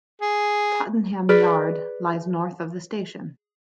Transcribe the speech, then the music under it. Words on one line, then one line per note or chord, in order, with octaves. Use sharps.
Tottenham Yard lies north of the station.
G#4
G#4 B4 D5